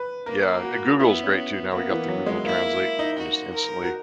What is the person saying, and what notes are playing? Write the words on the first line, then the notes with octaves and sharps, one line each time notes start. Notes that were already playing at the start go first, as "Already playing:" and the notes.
Yeah, and Google's great, too, now we got the Google Translate, we can just instantly
Already playing: B4
A#3 A#4
F#4
B3 E4
C#4
A#3 B3
E3
F#3
G#3
A#3 E4
D#4
F#4
A#4
F#4